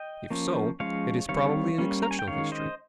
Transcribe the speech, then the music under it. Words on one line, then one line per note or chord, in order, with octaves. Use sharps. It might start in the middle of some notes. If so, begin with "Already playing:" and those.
If so, it is probably an exceptional history.
Already playing: D#5 G5
F3 A#3 C#4
F3 G#3 C#4 C#5 F5
D#3 G3 C4 C#5 F5
G3 A#3 C#4
A#5
G#5
G5
D#3 G#3 C#4 C#5 F5
C5 D#5